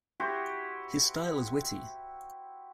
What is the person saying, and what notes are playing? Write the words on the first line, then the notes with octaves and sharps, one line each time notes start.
His style is witty.
E4 F#4 G4 C5